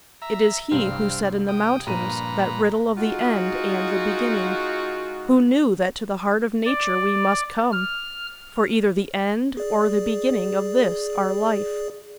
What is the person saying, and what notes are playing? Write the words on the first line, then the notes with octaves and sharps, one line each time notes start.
It is he who said in the mountains that riddle of the end and the beginning--who knew that to the heart of nature we must come, for either the end or the beginning of this, our life.
E5 A#5
C2 G2 C3 C4 F5
G5 D#6
G2 A#2 F3 B4 A#5 D#7
G#3 D#4 F4 F#4
D5
F6
G#4 D5